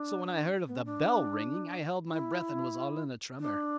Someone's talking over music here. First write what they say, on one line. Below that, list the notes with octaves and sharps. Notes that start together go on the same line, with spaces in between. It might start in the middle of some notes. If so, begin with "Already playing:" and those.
So when I heard of the bell-ringing, I held my breath and was all in a tremor.
Already playing: D4
B3
C#4
D4
E4
D4